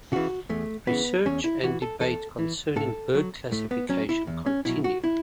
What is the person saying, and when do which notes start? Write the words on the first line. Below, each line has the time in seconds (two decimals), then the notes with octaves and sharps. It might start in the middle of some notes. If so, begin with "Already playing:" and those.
Research and debate concerning bird classification continue.
0.12 C#3 E3 F#4
0.49 E2 A3
0.87 C#3 E3 B3
1.26 E2 C#4
1.44 E4
1.63 E3 F#4
1.82 A4
2.00 E2 A4
2.39 E3
2.76 A2 A4
3.15 F#3
3.52 A2 A3
3.71 B3
3.89 F#3 C#4
4.09 E4
4.27 E2
4.46 C#4
4.65 B2 F#3 E4
4.84 F#4
5.04 E4